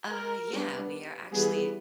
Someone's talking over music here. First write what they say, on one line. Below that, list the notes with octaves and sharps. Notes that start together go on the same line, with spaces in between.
Uh, yeah, we are actually
A#4
G3 B3 D4
E3 G3 B3 G#4